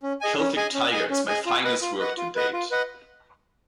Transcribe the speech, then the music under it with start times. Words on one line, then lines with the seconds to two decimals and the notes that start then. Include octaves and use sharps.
"Celtic Tiger" is my finest work to date.
0.03 C#4
0.21 G#4 D#5 G#5
0.39 C#4
0.57 G#4 D#5 G#5
0.74 C#4
0.92 G#4 D#5 G#5
1.10 C#4
1.28 G#4 D#5 G#5
1.46 F4
1.64 B4 D#5 F#5
1.81 F4
2.00 B4 D#5 F#5
2.17 F4
2.36 B4 D#5 F#5
2.53 F4
2.71 B4 D#5 F#5